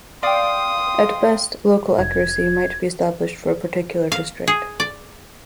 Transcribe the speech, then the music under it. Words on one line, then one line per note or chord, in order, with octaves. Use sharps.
At best, local accuracy might be established for a particular district.
D5 F5 G5 C6 D#6
F1 G#6
F5
G#4
D5